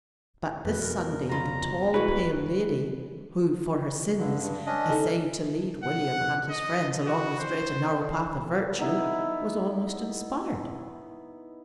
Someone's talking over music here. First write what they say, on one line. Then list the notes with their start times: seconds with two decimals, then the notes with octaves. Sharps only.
But this Sunday the tall, pale lady who, for her sins, essayed to lead William and his friends along the straight and narrow path of virtue, was almost inspired.
0.65 F2 B2 B4
0.81 A#4
1.29 C#2 F4 A#5 B5
1.94 E4 F#4 B4
4.19 G2 D3
4.42 G2
4.67 C#4 D4 D#5
4.90 D#4 A4
5.84 F#5
6.50 D#5
7.07 F#4
7.40 C5
8.78 B3 D#4 E4